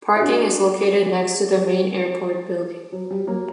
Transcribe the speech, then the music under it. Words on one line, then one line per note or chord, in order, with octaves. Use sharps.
Parking is located next to the main airport building.
E4
D4 F#4
G3
F#3
G3
F#3 A#3